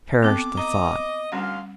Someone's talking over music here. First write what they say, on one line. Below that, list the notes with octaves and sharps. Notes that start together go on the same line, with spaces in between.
Perish the thought!
B3 C4 A4 D6
D#5 A#5
D2 G3 C#4 F5 F#5 C6